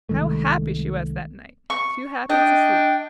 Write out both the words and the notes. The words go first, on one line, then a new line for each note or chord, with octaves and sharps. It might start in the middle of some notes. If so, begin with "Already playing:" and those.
How happy she was that night--too happy to sleep.
C2 D#3 G#3 A3
C#6
D4 D#5 G5